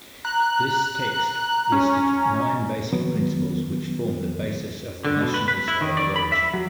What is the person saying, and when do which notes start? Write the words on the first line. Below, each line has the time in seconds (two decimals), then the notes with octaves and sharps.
This text listed nine basic principles which formed the basis of the nationalist ideology.
0.25 A#5 F#6
1.72 C#4
2.93 D#3 F#3 B3
5.05 D3
5.21 B2
5.34 B4
5.48 B4
5.68 E4
5.81 D#3
5.97 D5
6.16 B5
6.32 E5
6.54 F#3